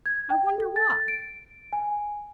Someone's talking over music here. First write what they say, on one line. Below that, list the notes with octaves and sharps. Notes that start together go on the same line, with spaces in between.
I wonder why.
G#6
G5
A4
A6
D7
G#5